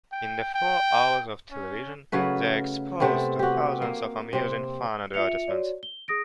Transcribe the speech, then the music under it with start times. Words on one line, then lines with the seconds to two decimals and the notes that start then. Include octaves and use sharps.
In the four hours of television, they're exposed to thousands of amusing, fun advertisements.
0.12 G5
0.54 G5
1.51 C#4
2.12 C#3 F#3 A3 B4
3.00 C3 A3 B3 C4
3.39 F#4 G4
3.82 A#3
4.33 C3 C4
5.14 F4 E5 C#7 F7
5.48 F#4 C#5 D5
5.83 G7
6.08 G#4 D#6 A#6 D7